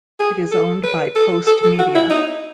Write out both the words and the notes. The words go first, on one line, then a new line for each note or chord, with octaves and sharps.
It is owned by Postmedia.
G#4
A4
B4
A4
A4
A4
F#4
E4
D#4